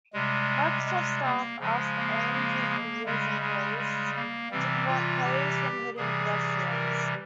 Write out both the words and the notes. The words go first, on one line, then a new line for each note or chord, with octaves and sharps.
Microsoft staff asked Angel Studios employees to prevent players from hitting pedestrians.
C3 G3 G#3
G#3
A#3
C#3 F3 G#3
A#3
A#3
A#3
C#3 G3 G#3
G#3
G#3
A#3
C3 E3 G3 C4
F4
G4
C3 E3 G3 G#4
A#4